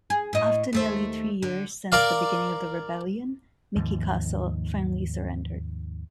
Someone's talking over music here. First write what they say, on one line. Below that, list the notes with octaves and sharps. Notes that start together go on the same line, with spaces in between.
After nearly three years since the beginning of the rebellion, Miki castle finally surrendered.
G#4
A2 D#5
D#2 A3 C5
D3
A#4 D5 F5
D#2 G#2 F3